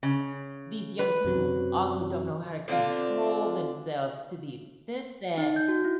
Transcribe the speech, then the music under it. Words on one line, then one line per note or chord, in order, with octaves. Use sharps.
these young people also don't know how to control themselves to the extent that
C#3
B4
F#2 C3 F#3
D3 C4 D4 F4
D#4
G6
F#4
E4